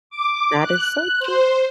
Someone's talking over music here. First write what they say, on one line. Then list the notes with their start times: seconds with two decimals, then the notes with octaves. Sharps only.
That is so true.
0.10 D6
0.61 F#6
1.19 C5